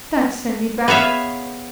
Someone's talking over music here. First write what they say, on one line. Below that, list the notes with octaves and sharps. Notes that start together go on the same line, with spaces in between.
Don't send me back!
B3 G#4 C#5 E5 F5